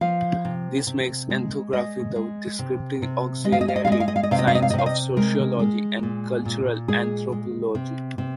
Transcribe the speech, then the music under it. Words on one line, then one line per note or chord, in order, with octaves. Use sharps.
This makes ethnography the descriptive auxiliary science of sociology and cultural anthropology.
F3 F5
C3
C3
G#3
G#3 D#5
G#3
C3
C3
G#3 D#5
F5
D#5
F5
D#5
F5
G#3 D#5
F5
D#5
F5
D#5
C3 F5
D#5
F5
D#5
F5
D#5
C3 F5
D#5
G#3 A#4
G#3
A#2
A#2
G#3 G#4
G#3
C3
C3